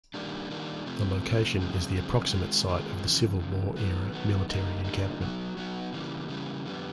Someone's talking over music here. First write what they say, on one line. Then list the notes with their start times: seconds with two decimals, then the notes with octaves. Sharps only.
The location is the approximate site of the Civil War era military encampment.
0.14 D#3 G3 A#3 D4
0.50 D#3 G3 A#3 D4
0.86 C3 F3 A3 C4
1.22 C3 F3 A3 C4
1.59 F#2 C#3 F3 G#3 C4
1.95 F#2 C#3 F3 G#3 C4
2.31 D#3 G#3 C4 F4 G#4
2.68 D#3 G#3 C4 F4 G#4
3.03 E2 C#3 F3
3.39 E2 C#3 F3
3.76 D#3 F#3 B3
4.12 D#3 F#3 B3
4.49 D3 G3 A#3 D#4
4.84 D3 G3 A#3 D#4
5.21 F#3 B3 D#4 F#4
5.57 F#3 B3 D#4 F#4
5.93 C#3 E3 G3 A#3
6.29 C#3 E3 G3 A#3
6.65 F2 D3 G3 B3